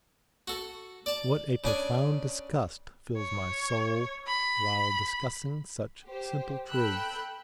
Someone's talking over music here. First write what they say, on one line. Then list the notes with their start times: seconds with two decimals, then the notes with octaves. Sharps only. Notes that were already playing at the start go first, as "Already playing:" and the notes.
What a profound disgust fills my soul while discussing such simple truths!
0.48 F#4 A4
1.06 D5 A5
1.64 C#3 D4 G#5
3.17 C#5
4.27 B5
6.07 G4 C5
6.70 A4 G5 B5 E6 F#6 G6